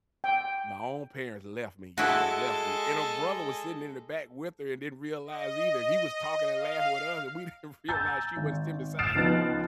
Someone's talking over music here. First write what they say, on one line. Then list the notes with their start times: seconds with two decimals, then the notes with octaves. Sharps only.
"My own parents left me. Y'all left me," and her brother was sitting in the back with her and didn't realize either. He was talking and laughing with us, and we didn't realize she wasn't sitting beside him,
0.24 G5
1.98 G#3 E4 F#4 A4
5.26 D#5
6.53 F5
7.89 G#5 A#5 E6 G6 A6
8.36 G#1
8.99 D#6 F6 A6 C7 D7 E7
9.15 C#2 F3 B3 D#4 F#6 A6